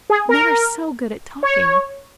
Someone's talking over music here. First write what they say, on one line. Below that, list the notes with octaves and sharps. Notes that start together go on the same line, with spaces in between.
Men are so good at talking!
G#4
A#4
C#5